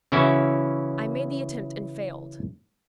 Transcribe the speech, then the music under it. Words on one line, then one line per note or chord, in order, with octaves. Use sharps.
I made the attempt and failed.
C#3 E3 C#4 E4 F#4